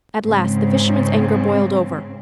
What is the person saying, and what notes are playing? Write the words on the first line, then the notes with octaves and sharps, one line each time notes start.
At last the fisherman's anger boiled over.
G#2 C#3 C4